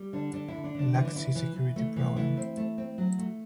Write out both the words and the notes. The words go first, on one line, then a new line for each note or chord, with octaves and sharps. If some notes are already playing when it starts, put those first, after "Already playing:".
Black Sea Security Program.
Already playing: G3
D3 D4
D3 D4
E4
D3
D4
D3 D4
E3 E4
D4
E3 E4
E3
E3
A3
E3
A3 E4
C4
A3
C4
F#3
A3